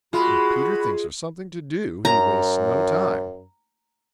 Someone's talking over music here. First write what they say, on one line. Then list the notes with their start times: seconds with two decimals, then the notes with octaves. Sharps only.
When Peter thinks of something to do he wastes no time.
0.13 G#3 F4 F#4 B5
2.05 F#2 A#5